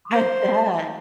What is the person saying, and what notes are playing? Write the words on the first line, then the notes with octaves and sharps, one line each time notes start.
I bet.
C5